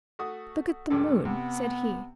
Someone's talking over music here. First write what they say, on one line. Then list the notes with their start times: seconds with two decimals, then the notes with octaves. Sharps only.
"Look at the moon," said he.
0.19 A3 F#4 D#6
0.90 C#2 G2 A4
1.25 C3 B3